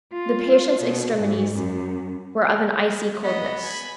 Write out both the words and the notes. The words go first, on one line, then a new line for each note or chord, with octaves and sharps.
The patient's extremities were of an icy coldness.
F4
B2
G#2
F#2
B3 D#5
G#5 B5